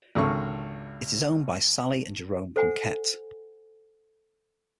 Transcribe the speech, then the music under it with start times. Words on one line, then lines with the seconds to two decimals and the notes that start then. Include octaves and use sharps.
It is owned by Sally and Jerome Poncet.
0.15 G#1 C#2 D3 C#6
2.56 A4 C5 F#5 G#5